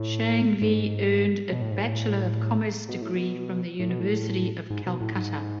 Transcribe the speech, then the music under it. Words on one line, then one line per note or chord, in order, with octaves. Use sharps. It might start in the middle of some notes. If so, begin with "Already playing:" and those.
Shanghvi earned a Bachelor of Commerce degree from the University of Calcutta.
Already playing: A2
G#2
B2
A2
G#2
A2
B2
A2
B2
A2
B2
A2
G#2
B2
A2
G#2